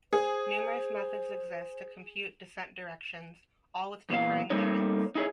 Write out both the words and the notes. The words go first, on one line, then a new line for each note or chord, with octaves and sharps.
Numerous methods exist to compute descent directions, all with differing merits.
G#4 C5
E2 A#2 E3 F5
G3 A3 A#3 C4 D#4 C#5
D#4 E4 G#4 A4 C#5